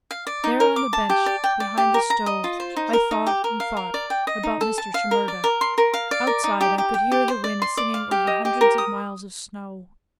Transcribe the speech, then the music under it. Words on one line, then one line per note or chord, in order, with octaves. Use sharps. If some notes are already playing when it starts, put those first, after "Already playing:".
There, on the bench behind the stove, I thought and thought about Mr. Shimerda. Outside I could hear the wind singing over hundreds of miles of snow.
F5
D5
D#4
A#4
D6
A5
G4
D5
G5
D5
G4
A#4
A#5
D#5
F4
C5
D#4
A#4
D#4
G4
A#4
F5
A#4
D5
G5
D#5
D#4
A4
A5
F5
A#4
D5
A#4
C6
A#4
F5
D5
A#4
D#4
G4
G4
G5
G4
C5
D5
C6
D5
F5
G4
D#5
G4
A#4
D#6